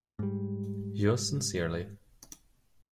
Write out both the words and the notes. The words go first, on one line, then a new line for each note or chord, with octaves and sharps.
Yours sincerely.
G#2 G3